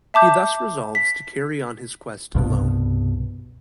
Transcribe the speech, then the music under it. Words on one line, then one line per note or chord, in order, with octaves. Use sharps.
He thus resolves to carry on his quest alone.
E5 A5 D6 G6
B6
C2 G2 B2